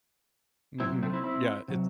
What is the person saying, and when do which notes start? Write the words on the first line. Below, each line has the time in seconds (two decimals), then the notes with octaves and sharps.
Mhm, yeah, it's
0.80 C3 F#3 C4 E4
1.03 A3 C4
1.13 C4 E4
1.24 C4 E4
1.68 C3 F#3